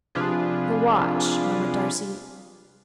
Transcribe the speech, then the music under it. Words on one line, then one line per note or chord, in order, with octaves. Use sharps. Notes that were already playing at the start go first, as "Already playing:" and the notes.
"The watch," murmured Darcy.
C3 F3 D4 F4 G#4 B4